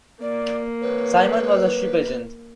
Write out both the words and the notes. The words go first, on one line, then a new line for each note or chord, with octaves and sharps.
Simon was a ship agent.
A#3 D5
B4 C#5